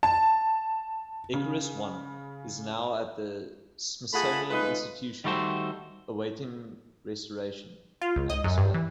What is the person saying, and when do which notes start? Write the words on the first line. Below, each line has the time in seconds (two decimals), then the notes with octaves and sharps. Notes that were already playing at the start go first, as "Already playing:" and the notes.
Icarus I is now at the Smithsonian Institution awaiting restoration and display.
0.03 A5
1.34 C#3
4.14 A3 F4 G#4 F#5 A5 B5
4.50 G#3 A3 D#4 F4 B4
5.24 D#3 G3 A3 F#4 A4 C5
8.01 F4
8.16 C#2
8.30 D#5
8.44 F#2
8.58 G2
8.74 E3